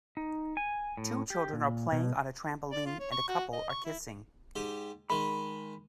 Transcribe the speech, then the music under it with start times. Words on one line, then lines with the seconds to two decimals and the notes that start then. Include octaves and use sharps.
Two children are playing on a trampoline and a couple are kissing.
0.17 D#4
0.57 G#5
0.97 A2
1.30 G4
1.53 A#2
1.92 B2
2.72 D5
2.86 F4
2.99 C#5
3.12 C#6
3.29 F#4
3.53 D#5
3.69 C#6
3.85 E4
4.55 G#2 G4
5.10 D#3 G#3 B5